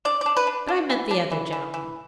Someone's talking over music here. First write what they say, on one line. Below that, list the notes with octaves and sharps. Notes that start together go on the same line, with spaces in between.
But I meant the other gentlemen.
D4 D5
D4 D5
B4
D4
D4
E3
D4
E3
E3
E3